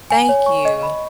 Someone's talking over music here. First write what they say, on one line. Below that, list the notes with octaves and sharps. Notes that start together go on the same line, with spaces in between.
Thank you.
G#5
C#5
C#6
D#5
B5